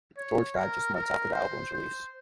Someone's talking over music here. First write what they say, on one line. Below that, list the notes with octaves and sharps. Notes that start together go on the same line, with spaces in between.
George died just months after the album's release.
C#5
A#4
A#4
C5
C5